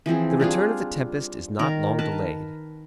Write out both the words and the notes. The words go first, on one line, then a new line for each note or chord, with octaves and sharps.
The return of the tempest is not long delayed.
E3 F3 C4 G#4
G3 D4 F4 G#4
D#3 A#4
A#4 B4 A5